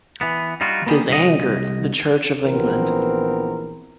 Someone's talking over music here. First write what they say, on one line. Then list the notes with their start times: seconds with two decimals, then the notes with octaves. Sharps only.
This angered the Church of England.
0.21 E3 B3
0.61 G3 D#4 F4 F#4
0.86 A#3 B3 F4 G4 G#4
1.09 C2 D#5
2.43 A#1 E3 B3 C4 A#4